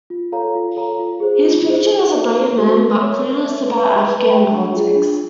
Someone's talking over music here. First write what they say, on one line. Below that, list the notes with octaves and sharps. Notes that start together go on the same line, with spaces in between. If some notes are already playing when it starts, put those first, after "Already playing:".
He is pictured as a brave man, but clueless about Afghan politics.
F4
A4 C#5 F5 A#5
F4
A4 C#5 F5 A#5
F4
G#4 C5
F4
G#4 C5
D#4
F#4 A4 C5 E5
D#4
F#4 A4 C5 E5
A#4
E5
C#5
A#4
C#5 E5
B4
E5 G5 B5
B4
E5 G5 B5
D4
F4 G#4
D4